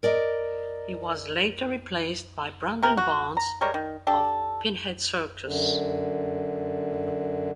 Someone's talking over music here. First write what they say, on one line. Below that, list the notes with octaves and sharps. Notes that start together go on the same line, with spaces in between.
He was later replaced by Brandon Barnes of "Pinhead Circus".
A#4 D5 D#5 A#5
C3 A#4
F#4
A#5
G3 G#3 A#4 C#5
D#3
D4 G4 A4
F#2 D3